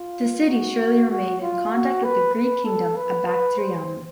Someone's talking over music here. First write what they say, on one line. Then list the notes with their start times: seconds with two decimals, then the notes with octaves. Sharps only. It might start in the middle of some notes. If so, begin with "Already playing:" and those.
The city surely remained in contact with the Greek Kingdom of Bactriana.
Already playing: F4
0.49 F#4
1.11 F#4
1.41 F4
1.73 F#4
2.04 B4
2.34 B4
2.65 A4
2.96 B4
3.27 B4
3.58 C5